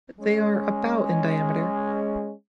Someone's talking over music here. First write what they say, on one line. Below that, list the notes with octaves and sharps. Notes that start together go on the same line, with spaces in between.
They are about in diameter.
G#3 C#4